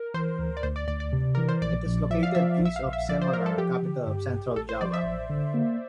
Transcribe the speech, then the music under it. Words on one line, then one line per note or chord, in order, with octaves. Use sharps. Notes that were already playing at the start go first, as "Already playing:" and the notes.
It is located east of Semarang, capital of Central Java.
Already playing: A#4
E3 C5
D2
D5
D2 C5
D5
D2 D5
D5
C3
E3 A#4
C5
A#1 D5
A#1
F3 E5
F5
F3 E5
A#1
E5
F5
A#1
E5
F3 D5
C5
F3 A#4
A4
F3 G4
D3
G2
A1
A1 A4
C5
F3 D5
E5
A1
D3
A#3